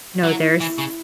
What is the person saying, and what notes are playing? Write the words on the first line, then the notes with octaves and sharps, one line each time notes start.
No. There's
F#3 E4
E3
C#3